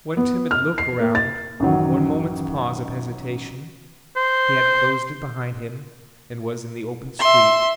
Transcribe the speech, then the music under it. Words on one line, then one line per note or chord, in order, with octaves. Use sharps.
One timid look around--one moment's pause of hesitation--he had closed it behind him, and was in the open street.
B3
F6
C7
A#3
A6
A1 F#2 D#3 F#3
C5
E5 C6